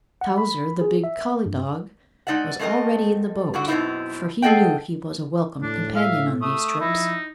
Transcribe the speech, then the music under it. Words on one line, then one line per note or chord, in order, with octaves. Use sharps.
Towser, the big collie dog, was already in the boat, for he knew he was a welcome companion on these trips.
F#5
B5
G#4
E5
G2
G#3 D#4 D5 E5 F#5
G#3 A3 C4 A#4 D#5
G2 D3 F#4
F#2 B2 B3 C4 D#4 E4
G#4 A4 D#5 F#5 G5
A2 D4
E5 F5
A3 D#6
F3 D#4 E4